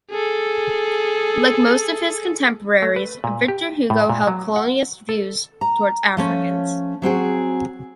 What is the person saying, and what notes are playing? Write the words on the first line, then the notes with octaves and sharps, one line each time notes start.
Like most of his contemporaries, Victor Hugo held colonialist views towards Africans.
G#4 A4
A3
B4
A#2
G4
A2
A#2
F#3
F#5
A4
A#5
F3 A3 C#4
F#3 C4 F#4 G#4